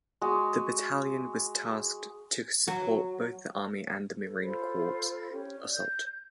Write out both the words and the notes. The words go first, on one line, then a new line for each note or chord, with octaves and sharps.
The battalion was tasked to support both the Army and the Marine Corps assault.
G#3 F#4
F#3
A4
F4 A4 C5 B5
C#4 G4
D5
G6